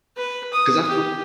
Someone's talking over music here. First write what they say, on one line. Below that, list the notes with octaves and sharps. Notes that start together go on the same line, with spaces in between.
'Cause I feel
B4
D#6
G4